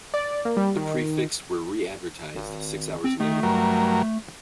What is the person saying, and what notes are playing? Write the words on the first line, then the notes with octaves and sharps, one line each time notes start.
The prefix were re-advertised six hours later.
D5
A#3
G3
D#3
G#1
C4
D#3 A3
G2 F#3 A#4